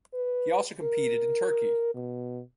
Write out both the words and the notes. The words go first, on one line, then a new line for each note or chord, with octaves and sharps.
He also competed in Turkey.
B4
A#4
B2